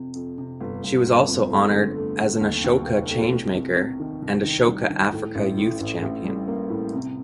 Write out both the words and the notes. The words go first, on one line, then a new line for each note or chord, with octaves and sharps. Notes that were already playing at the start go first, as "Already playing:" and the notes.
She was also honoured as an Ashoka Changemaker and Ashoka Africa Youth Champion.
Already playing: F2 C3
F2
C3
G1
G1
G1
F2
A3
D3
A3
A3
D#2
D#2
F1
A3
C2
C2
C3
D#3
C2
D#3
G3
D#3
A2
A1
A2
A1
A1
G3
A#3
A2
C3